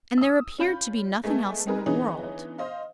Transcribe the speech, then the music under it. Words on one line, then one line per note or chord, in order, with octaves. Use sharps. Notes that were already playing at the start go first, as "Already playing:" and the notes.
And there appeared to be nothing else in the world.
D#6 E6
C#4 F4 B5 G6
G#3 A3 B3 G#4 A4
C4 D#4 G#4 A#4 B4
D3 E3 B3 C#4 D#4 G#4
C5 D#5 F5